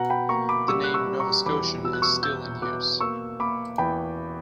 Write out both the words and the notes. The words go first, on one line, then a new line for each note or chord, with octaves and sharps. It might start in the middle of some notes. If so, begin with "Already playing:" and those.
The name "Novascotian" is still in use.
Already playing: B2 F#5 A#5
G5 B5
A#3 A#5 C#6
B5 D6
G3 C#6 E6
F#6
C#6 E6
G3
A#5 C#6
E2 B5 D6
B2 E6
F#6
C#6 E6
B2 E6 G6
B2 D6 F#6
A#3 C#6 E6
A#3 B5 D6
E2 G5 B5